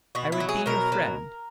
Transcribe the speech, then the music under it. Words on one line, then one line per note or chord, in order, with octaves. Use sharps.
I would be your friend.
B2 F#4
E4
F#3
G#4
B2 A#4
F#3